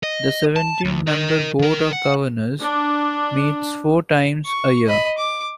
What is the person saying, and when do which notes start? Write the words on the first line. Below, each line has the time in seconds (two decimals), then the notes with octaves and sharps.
The seventeen-member Board of Governors meets four times a year.
0.03 D#5
0.56 A5
0.85 D2
1.07 A#4 D#5
1.59 D#3 A#4
1.93 F#5
2.60 D4
4.46 C#6
4.87 D#5 B5
5.18 D6